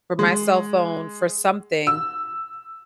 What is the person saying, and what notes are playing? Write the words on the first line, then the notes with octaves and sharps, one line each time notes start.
for my cell phone for something
G#3
E6